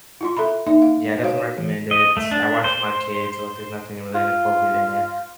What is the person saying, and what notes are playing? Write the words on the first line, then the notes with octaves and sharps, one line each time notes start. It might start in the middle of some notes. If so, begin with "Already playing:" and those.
yeah, I definitely recommend it, it's I watch with my kids, like, there's nothing really inappropriate in it,
E4 F4 C6
A4 E5 A#5 B5
A#3 D#4 E5
F5
F#4 C5 C#5 F5
E3
D#5
A3
D4
C5
F4